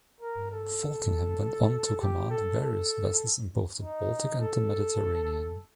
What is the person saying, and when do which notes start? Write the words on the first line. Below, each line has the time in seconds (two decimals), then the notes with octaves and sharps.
Falkingham went on to command various vessels in both the Baltic and the Mediterranean.
0.21 A#4
0.52 A4
2.01 G4
2.30 A4
2.61 A4
3.80 D#4
4.40 A4